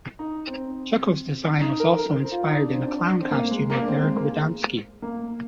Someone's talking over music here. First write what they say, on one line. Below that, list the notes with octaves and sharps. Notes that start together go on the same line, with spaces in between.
Chucko's design was also inspired in a clown costume of Eric Radomski.
D#4
C4
D#4
A#4
A#4
C5
F4
D#4
D4
C4
D4
C4
A#3
G#3
A#3
D4
C4
G#3
A#3
A#3